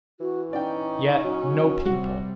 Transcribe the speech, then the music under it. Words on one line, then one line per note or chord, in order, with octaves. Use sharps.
Yet no people.
E3 F#4
C#4 D#4 D5 G5
F#3
C3 G3 F#4